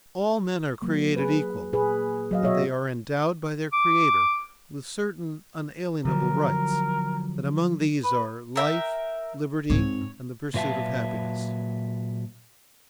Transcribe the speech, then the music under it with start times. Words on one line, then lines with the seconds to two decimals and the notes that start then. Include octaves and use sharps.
"All men are created equal; that they are endowed by their Creator with certain unalienable rights; that among these are life, liberty and the pursuit of happiness."
0.82 F#3 A#3
1.16 G#4 B4
1.73 A#2 G#4 B4
2.31 F#3 D#5 F5
2.43 B2 F#3 F#4 C#5 D#5 E5
3.73 D6
6.05 D3 F3 F#3 A#4
8.03 B4
8.56 A#4 E5 G5
9.70 G#2 C4 C#5
10.54 A#2 F#3 B4 E5 F5 A5